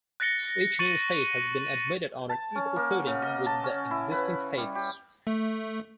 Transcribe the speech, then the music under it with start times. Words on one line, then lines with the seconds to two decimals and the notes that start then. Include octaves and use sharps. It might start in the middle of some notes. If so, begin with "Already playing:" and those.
Each new state has been admitted on an equal footing with the existing states.
0.20 F#6 A6 A#6 C#7 G7
0.79 C#6 A6 C#7 D#7 F#7
2.29 A5
2.55 C#4
2.76 A#3
2.90 F#5
3.07 C#3
3.22 D#5
3.46 A5
3.64 C#4
3.91 E4
4.11 B4
4.58 G3
4.75 G4
5.27 A3